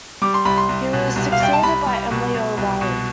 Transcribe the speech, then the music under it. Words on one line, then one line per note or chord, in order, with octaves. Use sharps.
He was succeeded by Emily O'Reilly.
G3 D6
C6
C2 B5
C6
C2
B2
C2
F5
C2 G5
A5
C2 B5
G3
B2
B2
C2
B2